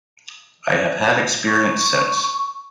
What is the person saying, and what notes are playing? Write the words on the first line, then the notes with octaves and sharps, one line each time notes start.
I have had experience since.
C#6